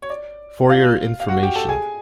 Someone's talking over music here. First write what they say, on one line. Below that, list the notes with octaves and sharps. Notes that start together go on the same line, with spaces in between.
For your information.
C#5
D5
F4 F5
F5
F#4 F#5
G4 G5
A4 A5
G#4 G#5